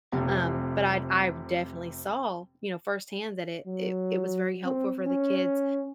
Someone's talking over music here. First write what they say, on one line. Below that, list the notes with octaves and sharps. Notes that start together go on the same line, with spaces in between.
um, but I'd I definitely saw, you know, firsthand that it it it was very helpful for the kids,
F1 C3
F#3
C4
C#4